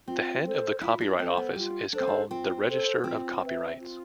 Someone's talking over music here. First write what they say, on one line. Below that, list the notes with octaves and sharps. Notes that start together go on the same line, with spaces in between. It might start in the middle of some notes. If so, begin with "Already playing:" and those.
The head of the Copyright Office is called the Register of Copyrights.
C4 F4
A4 C5
E4 F4
D4
C4 A4 C5
B3
G3 F4
D4 A4 C5
C4
D4
C4 F4
A4 C5
C4 F4
B4 E5
F4